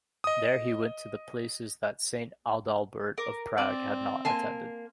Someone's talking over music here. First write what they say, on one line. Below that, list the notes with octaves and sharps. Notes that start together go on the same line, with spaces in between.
There he went to the places that Saint Adalbert of Prague had attended.
D#5 D#6
A#4 D6
C4 D5
A#3 G#5 A5 C6